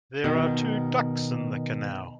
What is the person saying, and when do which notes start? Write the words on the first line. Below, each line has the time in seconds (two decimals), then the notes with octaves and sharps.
There are two ducks in the canal.
0.24 B2 D#3